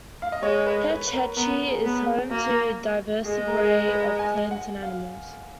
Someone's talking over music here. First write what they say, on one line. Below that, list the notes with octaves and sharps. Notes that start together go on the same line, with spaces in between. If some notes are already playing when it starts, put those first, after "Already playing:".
Hetch Hetchy is home to a diverse array of plants and animals.
F5
D#5
G#3 C#5
B4
B4
B4
A#4
B3 A#4
G#4
B3
A#4
G#4
A#3 F#4
G#3 G#4
A#4
G#4
B4
G#5
F#5
F5